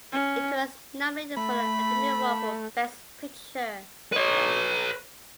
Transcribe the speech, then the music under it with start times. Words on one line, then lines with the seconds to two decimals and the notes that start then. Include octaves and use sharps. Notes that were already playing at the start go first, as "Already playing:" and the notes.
It was nominated for the Academy Award for Best Picture.
0.12 C#4
1.37 A3 B5
4.12 B4 C#5